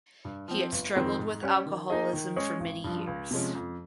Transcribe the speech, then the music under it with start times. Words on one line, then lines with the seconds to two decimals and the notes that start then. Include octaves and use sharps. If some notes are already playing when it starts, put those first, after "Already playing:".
He had struggled with alcoholism for many years.
0.25 G2
0.48 F3 C4
0.72 G1
0.95 F2 D#3 G#3 C4
1.19 G#2
1.43 G3 C#4 G4
1.66 D#3
1.90 A#3 D#4 G#4 D#5
2.13 D#3
2.36 G#3 C#4 G#4 C#5
2.60 G#1
2.84 G2 F3
3.07 C#2
3.31 C3 F3 G#3 C#4
3.55 F2